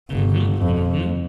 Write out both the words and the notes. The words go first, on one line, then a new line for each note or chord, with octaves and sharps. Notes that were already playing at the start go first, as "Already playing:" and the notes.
Mhm, mhm.
G1
F2